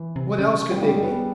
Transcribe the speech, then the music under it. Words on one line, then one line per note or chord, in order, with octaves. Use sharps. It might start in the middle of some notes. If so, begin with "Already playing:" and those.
What else could they be?
Already playing: E3
C3
C#3
G3
G3
G#3
B3